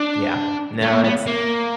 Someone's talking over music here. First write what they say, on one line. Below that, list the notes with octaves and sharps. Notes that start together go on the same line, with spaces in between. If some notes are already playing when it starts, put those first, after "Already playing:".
Yeah. No, it's
Already playing: D4
A3
A#3
B3
A#3